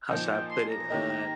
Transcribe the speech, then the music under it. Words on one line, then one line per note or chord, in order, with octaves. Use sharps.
How should I put it? Uh,
A#2 F3 D#4 G5
G5
C6
A#5
D#3 A#3 G4 A#4 D#5